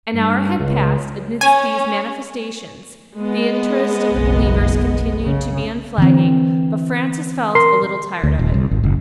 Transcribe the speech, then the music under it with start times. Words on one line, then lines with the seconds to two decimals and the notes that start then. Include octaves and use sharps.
An hour had passed amidst these manifestations--the interest of the believers continued to be unflagging, but Francis felt a little tired of it.
0.13 G2
0.59 C#2
1.41 C#4 G#5
3.17 G#3 B3 D#5
4.10 F#1 B1
5.24 C#3
5.98 D3 E3 C4
7.55 A#4 C6 C7
8.23 D2
8.39 D#1
8.54 C2
8.71 G#1
8.83 F#1